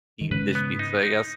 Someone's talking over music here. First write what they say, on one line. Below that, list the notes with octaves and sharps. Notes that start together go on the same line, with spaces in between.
deep dish pizza, I guess,
D#3
G#2 C#3 B4
B3
D#4
D#4